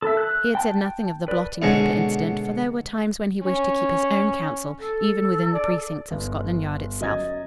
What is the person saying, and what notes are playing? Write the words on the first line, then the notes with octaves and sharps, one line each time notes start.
He had said nothing of the blotting-paper incident, for there were times when he wished to keep his own counsel even within the precincts of Scotland Yard itself.
A4 E5
F#6
G5 A5
B4 D5
B2 D3 G#3 C#4 D4
C#4
A4
D5
G1
F#2 F#3 D#5 G#6 A6